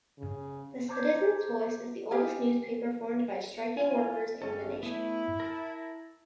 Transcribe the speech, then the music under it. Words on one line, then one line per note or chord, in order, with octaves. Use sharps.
The "Citizens' Voice" is the oldest newspaper formed by striking workers in the nation.
C#3
C5 A5 A#5 D6 G6 G#6
G4 D#5 F5 G#5
E4 F4 G#5
G2 C#4 A4
A3 B3 E4
A#4 A5